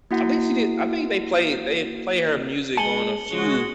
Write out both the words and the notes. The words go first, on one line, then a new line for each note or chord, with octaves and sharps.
I think she did I think they played they'd play her music on a few,
A#3 E4 F#4 F#5
G#3 G#5 A5 C#7 F#7 G7
C#3 G#3 F#4